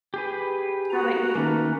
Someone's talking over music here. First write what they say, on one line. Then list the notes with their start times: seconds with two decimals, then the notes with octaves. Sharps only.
How about you?
0.14 G4 G#4 B4
0.90 F#4 A#5
1.35 D#3 A3 A#3 C#4 D#4 B4